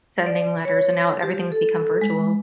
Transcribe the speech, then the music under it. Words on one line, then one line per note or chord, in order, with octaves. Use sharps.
sending letters, and now everything's become virtual.
D5
C#5
G4
A4
G#3